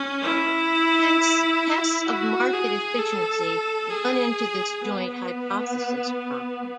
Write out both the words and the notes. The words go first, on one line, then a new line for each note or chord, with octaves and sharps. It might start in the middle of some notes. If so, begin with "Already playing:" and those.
Hence tests of market efficiency run into this joint hypothesis problem.
Already playing: C#4
E4
F#4
G#4
A4
G#4
B3